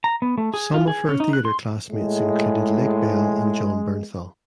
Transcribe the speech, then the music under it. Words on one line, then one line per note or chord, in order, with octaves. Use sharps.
Some of her theater classmates included Lake Bell and Jon Bernthal.
A#5
B3
A3
G#4
F4
G#4
C#4
D#4
F#6
C6
A2 G#3